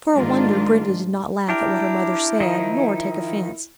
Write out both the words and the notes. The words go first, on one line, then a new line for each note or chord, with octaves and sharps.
For a wonder Brenda did not laugh at what her mother said, nor take offence.
G#2 D#3 G#3 D4 F4
D4 E4 G4 A#4
D#3 F3 D#4